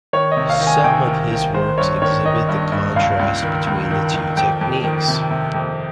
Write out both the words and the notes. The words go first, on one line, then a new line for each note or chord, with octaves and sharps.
Some of his works exhibit the contrast between the two techniques.
D#3 C#5
D#5
C3
F5
D#3
G#5
C3 G5
D#3
D#3
D#3 C5
G2 C#5
D#3 C#5
D#3 D#5
G2
G2
C#2 F5
C#2
D#3
C#2
D#3
D#3
F2 G5
F2
D#3
C3
C3
F2